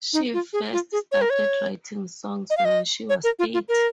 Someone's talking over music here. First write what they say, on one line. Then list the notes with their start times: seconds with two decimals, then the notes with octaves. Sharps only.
She first started writing songs when she was eight.
0.13 D#4
0.33 F4
0.53 G#4
0.73 F4
0.92 G#4
1.12 C#5
1.21 A#4
1.31 C#5
2.50 D#5
2.57 F5
2.65 D#5
3.09 C#5
3.24 A#4
3.39 F4
3.54 F4
3.68 A#4